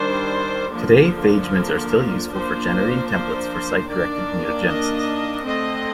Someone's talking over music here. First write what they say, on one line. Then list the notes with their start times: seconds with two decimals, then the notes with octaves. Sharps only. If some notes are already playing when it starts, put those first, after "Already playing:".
Today phagemids are still useful for generating templates for site-directed mutagenesis.
Already playing: D#3 G3 D4 C5
0.72 D3 F3 A#3 D4
1.51 A#4
2.30 F3 A#3 D4 C5
3.09 C5
3.88 D#3 A#3 D4 D5
4.67 D#5
5.46 D3 A3 C4 D#5